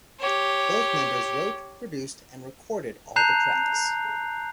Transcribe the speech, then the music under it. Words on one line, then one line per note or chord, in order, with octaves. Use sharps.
Both members wrote, produced, and recorded all the tracks.
G4 C#5
A5 A#5 F#6 G6 C7 F7